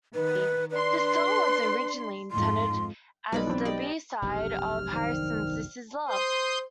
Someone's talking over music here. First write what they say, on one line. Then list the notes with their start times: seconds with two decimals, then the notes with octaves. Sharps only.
The song was originally intended as the B-side of Harrison's "This Is Love".
0.15 D#3 B4
0.71 D4 B4 C6
2.31 F2 G#2 F3 C6
3.32 B1 G3 G#3 B4 D5 B5
3.47 E3 C4
3.65 G4 D5 D#5
4.22 F1 B1 G2 G4 F6
4.92 D#3 C5 D5 G5
6.09 C5 C6 D#6 G6